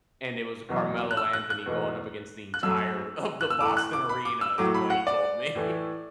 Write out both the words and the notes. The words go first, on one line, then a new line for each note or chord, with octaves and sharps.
and it was Carmelo Anthony going up against the entire of the Boston Arena, is what he told me.
E2 B2 F#3
F#6
E6
F#6
F#6
E2 B2 A3
F#6
F#2 F#3 A3 E6
F#6
E6
A2 A3 D6
F#6
D6
B5
D6
E6
A2 F#3 A3 D6
B5
F#5
D5
A2 E3 A3